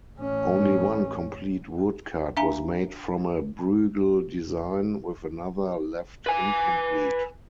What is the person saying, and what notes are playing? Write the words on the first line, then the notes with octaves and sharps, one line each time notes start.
Only one complete woodcut was made from a Bruegel design, with another left incomplete.
A1 C#4
D4 E5 F5 G#5 A#5
B4 G#5